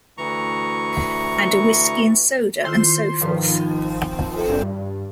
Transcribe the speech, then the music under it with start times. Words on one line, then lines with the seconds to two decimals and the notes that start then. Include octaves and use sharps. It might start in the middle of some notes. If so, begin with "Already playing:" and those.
And a whisky and soda, and so forth.
0.18 D2 E3 A#5 C#6
2.64 D#3 E4 F4 C5 C6
3.21 G#2 D#3 F3 B4
4.49 G2